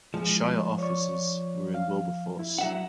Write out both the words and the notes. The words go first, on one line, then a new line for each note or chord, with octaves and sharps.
The shire offices were in Wilberforce.
F3 G#3
C#5 D5 C#6
F5
E4
F#3 D4 E5 F#5